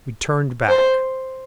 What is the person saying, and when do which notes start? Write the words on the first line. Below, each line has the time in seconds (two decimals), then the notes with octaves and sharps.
We turned back.
0.69 C5